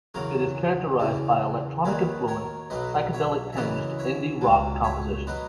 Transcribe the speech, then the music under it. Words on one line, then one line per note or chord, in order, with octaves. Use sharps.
It is characterized by electronic-influenced, psychedelic-tinged indie rock compositions.
E2 C#3 F#3 F#4 A#4
E2 C#3 E3
D#2 D#3 F#3 G#4 B4
A#4 C#5
B1 B2 F#3 B4 D#5
C#5 E5
E5
F#2 C#3 E3 B4 D#5
C#5 E5
C#2 B2 F#3
C#5 E5
B2 F#3 B4 D#5